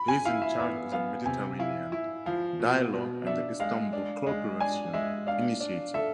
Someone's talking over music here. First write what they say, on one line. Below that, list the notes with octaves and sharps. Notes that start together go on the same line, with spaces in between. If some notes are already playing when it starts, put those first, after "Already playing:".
He is in charge of the Mediterranean Dialogue and the Istanbul Cooperation Initiative.
Already playing: B5
G#5
E4 F5
E5
B3 E5
B3 F5
C3 G#5
E4 F5
E4 E5
F3 F5
B2
B2
D4 E5
G#3 F5
D4
G#3
D4 G#5
G#3 E5
D4 F5
D4
A4 E5